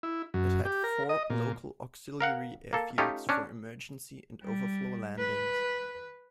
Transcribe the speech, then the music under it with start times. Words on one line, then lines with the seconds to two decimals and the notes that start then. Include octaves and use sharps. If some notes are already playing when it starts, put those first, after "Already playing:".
It had four local auxiliary airfields for emergency and overflow landings.
0.03 E4
0.34 F#2
0.65 G4
0.84 A#4
1.09 D#5
1.30 A#2
2.21 A#4 F5 F#5
2.73 A#3 A4
2.98 A3 C#4 D#4 F4 G4
3.29 C#4 D4
4.43 G3
5.19 B4